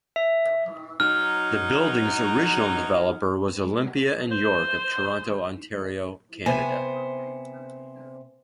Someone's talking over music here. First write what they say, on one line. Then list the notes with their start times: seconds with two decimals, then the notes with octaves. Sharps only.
The building's original developer was Olympia and York of Toronto, Ontario, Canada.
0.16 E5
1.00 F#3 D#4 F6
4.31 C5
6.46 C3 B3 C5 G#5